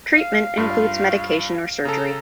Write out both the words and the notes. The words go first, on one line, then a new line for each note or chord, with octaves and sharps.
Treatment includes medication or surgery.
F5
G2 F4
C#3 A4 A#5